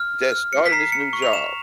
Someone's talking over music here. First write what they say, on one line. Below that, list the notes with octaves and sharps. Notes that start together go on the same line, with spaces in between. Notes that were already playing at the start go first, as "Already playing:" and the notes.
that's starting this new job
Already playing: F6
F6
C#7
B6
A#5 C7
C#7
C#6
F7
E7